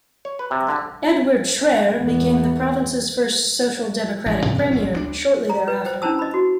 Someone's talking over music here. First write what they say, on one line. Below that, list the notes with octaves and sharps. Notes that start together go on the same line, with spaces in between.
Edward Schreyer became the province's first social democratic Premier shortly thereafter.
C#5
B4
C3
D3
E2 B3
A1
A2 C3 F3 G3
F#2 C3 A3 C4
A#1 G#2 C3 C#4
D2 G#3 D4
A#5
B4
C5 G5
C#4 D4 E4 C5 A5 E6
D#5 B5
F#4